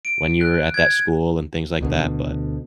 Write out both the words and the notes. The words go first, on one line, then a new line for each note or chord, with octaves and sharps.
when you were at that school and things like that, but
D7
F#6
G#6
D2 B2 D3